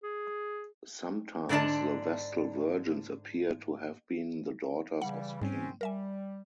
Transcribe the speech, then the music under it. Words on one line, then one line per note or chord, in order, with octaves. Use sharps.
Sometimes the Vestal virgins appear to have been the daughters of the king.
G#4
G#2 D3 D4 D5 A5
C#3 E3 G3 F#5
G#2 G3 C4 C#4
G3 A#4 E5 G#5